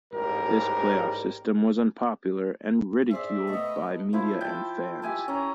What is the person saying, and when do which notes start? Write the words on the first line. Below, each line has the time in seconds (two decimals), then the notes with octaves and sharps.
This playoff system was unpopular and ridiculed by media and fans.
0.13 A1 G#2 G3 A#4
3.11 G#4 C5 D5 E5
3.49 A3 B3 D#5
4.13 F3 E4 C5
4.41 G5 A5
5.02 G4 E5 G#5 A5
5.28 C#4 A#5